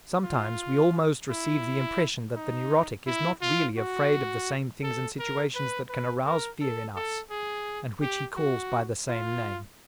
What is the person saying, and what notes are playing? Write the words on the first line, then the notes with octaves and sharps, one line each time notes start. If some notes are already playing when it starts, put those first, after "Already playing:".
Sometimes we almost receive the impression that the neurotic is not really afraid of the same things and situations that can arouse fear in us, and which he calls by the same name.
F4
E4
D#4
E4
F4
F#4
A4
A#4
B4
B4
A#4
A4
A4
G#4
G4
F#4
F4